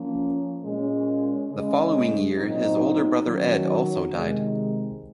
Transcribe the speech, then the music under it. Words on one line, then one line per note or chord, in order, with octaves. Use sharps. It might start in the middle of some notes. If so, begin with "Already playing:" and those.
The following year his older brother Ed also died.
Already playing: F3 A#3 C#4
A#2 G#3 C#4
C#3 G#3 C#4
A#2 F#3 C4 D#4
D#3 F#3 C#4
C3 D#3 G#3